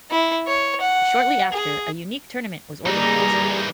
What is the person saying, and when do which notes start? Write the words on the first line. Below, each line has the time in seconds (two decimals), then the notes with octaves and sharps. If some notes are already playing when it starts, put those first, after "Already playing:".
Shortly after, a unique tournament was organized.
0.11 E4
0.47 C#5
0.81 F#5
1.52 G#4
2.86 E3 G3 A#3 D#4 G#4 A#5